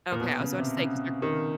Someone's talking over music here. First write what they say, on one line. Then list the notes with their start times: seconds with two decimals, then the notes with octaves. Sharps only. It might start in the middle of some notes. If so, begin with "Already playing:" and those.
Okay, I was about to say, 'cause they're
0.12 A#2
0.20 B2
0.40 C#3
0.58 C3
0.77 C#3
1.22 D#3